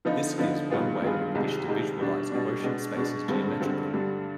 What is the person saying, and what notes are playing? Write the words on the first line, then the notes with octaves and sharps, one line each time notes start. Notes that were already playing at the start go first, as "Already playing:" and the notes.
This gives one way in which to visualize quotient spaces geometrically.
D3 F3 B3 D#4
D3 F3 B3 D#4
G2 D#3 B3 F4 G#4
G2 D#3 B3 F4 G#4
C2 C3 D#3 G#3
C2 C3 D#3 G#3
B2 G3 D4
B2 G3 D4
B2 G#3 D4
B2 G#3 D4
G2 D3 G#3 C4
G2 D3 G#3 C4
G2 D3 G3 D4